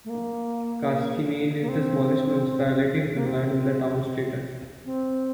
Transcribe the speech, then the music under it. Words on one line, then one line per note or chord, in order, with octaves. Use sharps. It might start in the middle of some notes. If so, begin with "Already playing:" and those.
Kaskinen is the smallest municipality in Finland with a town status.
A3
A#3
A#3
C4
A#3
C4
C4